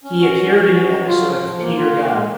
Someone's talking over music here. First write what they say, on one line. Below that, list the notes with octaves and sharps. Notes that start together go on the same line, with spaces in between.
He appeared in an episode of Peter Gunn.
C#4
F#4
C#4
F#3
F#4
F#3
F4
F3
F3
A#3
F4
A#3
G#3